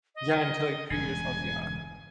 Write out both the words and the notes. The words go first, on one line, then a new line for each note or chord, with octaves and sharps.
Yeah, until, like, treat yourself, yeah.
D#5
E1 G2 G#5